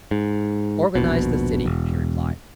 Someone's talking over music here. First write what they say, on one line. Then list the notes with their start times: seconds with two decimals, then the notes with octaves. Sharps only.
"Organize the city," she replied.
0.11 G#2
0.95 D#1 A#1 B2
1.66 E1